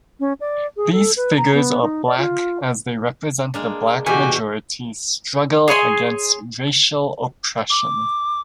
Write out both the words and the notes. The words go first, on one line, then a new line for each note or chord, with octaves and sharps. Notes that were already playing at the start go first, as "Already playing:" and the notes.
These figures are black as they represent the black majorities struggle against racial oppression.
C#4
D5
G#4
A4
B4
A#5
B3
D#4
D5
F4
G#3 A#3 D4
B2 E3 F#4 G4 G#5
G#4 C#5 G#5 C6
D6